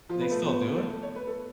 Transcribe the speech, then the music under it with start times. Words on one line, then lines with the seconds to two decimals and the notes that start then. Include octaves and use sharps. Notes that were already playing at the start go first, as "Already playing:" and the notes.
they still do it?
0.09 F3 F4
0.21 B3 B4
0.31 A3 A4
0.42 B3 B4
0.75 A3 A4
1.03 C#5
1.15 B4
1.27 A4